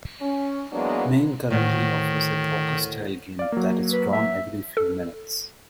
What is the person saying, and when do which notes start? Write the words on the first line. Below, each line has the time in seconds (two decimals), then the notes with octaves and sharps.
Maine currently offers a poker-style game that is drawn every few minutes.
0.21 C#4
0.73 E3 F#3 G#3 A#3 B3 D4
1.50 D2 A2 D#3
3.39 D5 F5
3.52 F#3 A#3
3.93 B4
4.13 E5
4.77 A4